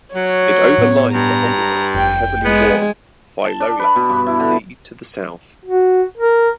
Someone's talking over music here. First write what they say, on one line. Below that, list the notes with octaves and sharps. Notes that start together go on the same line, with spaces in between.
It overlies the older and heavily worn Philolaus C to the south.
F#3 C#5
A2 B3
G2 A#5
F1 G5
G#3 B3
A5
D4
B4
B2
G2
E4
D3
F#4
A#4